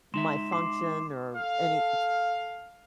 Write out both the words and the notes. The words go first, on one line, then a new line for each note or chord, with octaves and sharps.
my function or any p
G#3 D#4 E5 C6 E7
C6 D6 C7
A4 F5